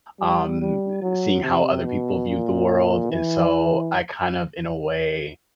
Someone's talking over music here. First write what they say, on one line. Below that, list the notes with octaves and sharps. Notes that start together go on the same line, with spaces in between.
um, seeing how other people viewed the world, and so I kind of, in a way,
G3
G3
F#3
C3
B2
A#2
E3